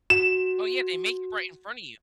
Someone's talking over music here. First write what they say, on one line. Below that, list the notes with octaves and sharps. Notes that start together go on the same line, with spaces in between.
Oh, yeah. They make it right in front of you.
F#4 E7